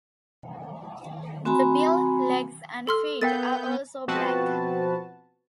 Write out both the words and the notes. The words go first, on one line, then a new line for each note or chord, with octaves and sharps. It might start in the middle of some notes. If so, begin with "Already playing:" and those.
The bill, legs and feet are also black.
C4 F#4 G#5 A#5 B5
A4 C6 F6
B3 A#4 F5 G5 G6 A6
B2 F3 C4 F#4 B4 A5